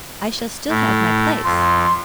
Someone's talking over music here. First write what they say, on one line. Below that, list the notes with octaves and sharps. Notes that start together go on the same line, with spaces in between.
"I shall still have my place."
A2
F2 C6